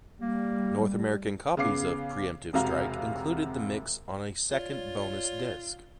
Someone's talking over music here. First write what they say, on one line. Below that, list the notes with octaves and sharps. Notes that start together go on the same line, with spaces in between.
North American copies of "Preemptive Strike" included the mix on a second bonus disc.
G3 A#3
C#3 B3 F5 D6 C7
E1 C3 F#4 F5 A#5
F4 C#5 D5